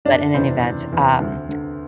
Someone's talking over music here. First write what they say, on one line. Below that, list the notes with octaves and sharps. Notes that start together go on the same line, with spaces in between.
But in an event, um,
F#1 D4
E2 C3 E3 C4
F#1
E2 C3 E3
D2
D3